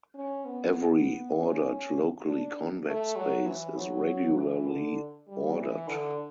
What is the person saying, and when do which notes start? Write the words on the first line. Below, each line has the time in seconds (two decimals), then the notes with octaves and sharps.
Every ordered locally convex space is regularly ordered.
0.15 C#4
0.45 B3
1.36 C#4
2.26 D4
2.86 A3
3.16 F#3
3.46 E3
3.76 F#3
4.37 E3
4.67 D3
5.27 G3
5.58 E3
5.88 D3